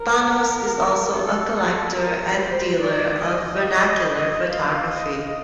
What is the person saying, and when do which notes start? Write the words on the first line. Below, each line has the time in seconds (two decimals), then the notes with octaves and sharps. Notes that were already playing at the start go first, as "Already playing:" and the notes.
Bannos is also a collector and dealer of vernacular photography.
Already playing: A#4
1.15 A4
1.56 A4
1.97 A#4
2.39 C5
2.81 D5
3.24 D#5
4.48 F5
4.90 D#5